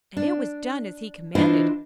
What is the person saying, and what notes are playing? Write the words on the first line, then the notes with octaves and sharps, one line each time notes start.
And it was done as he commanded.
D4
E3 D4 E4 F4 C5 D#5